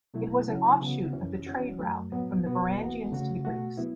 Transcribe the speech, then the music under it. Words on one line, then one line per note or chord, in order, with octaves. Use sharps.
It was an offshoot of the trade route from the Varangians to the Greeks.
B2 F#3 A3 E4
C#3 F#3 C#4 E4
C#3 E3 B3 F#4
F#2 E3 C#4
E3 C#4 F#4
F#2 F#3 A3
A2 F#3 B3
B2 B3 F#4
E2 E3 B3 F#4
C#3 A3 F#4
B2 A3 F#4
F#3 B3 E4